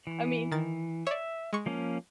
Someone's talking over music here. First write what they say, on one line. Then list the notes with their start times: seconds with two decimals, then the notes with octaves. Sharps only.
I mean
0.07 E3
0.52 D#3 A6
1.07 C#5 D5 E5
1.53 G#3 C#6
1.66 F3 A#3 C#4